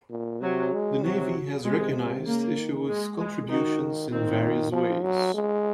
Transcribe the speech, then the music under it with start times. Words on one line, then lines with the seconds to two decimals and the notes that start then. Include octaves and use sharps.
The Navy has recognized Isherwood's contributions in various ways.
0.10 A#2
0.41 C3 F#3
0.73 G#3
1.03 C3 F#3
1.64 C3 G#3
2.26 C#3 A#3
2.57 D#3
2.88 G#3
3.19 G#3
3.49 D#3 D#4 F#4
4.11 D#3 C4
4.72 F3
5.03 F#3
5.34 G#3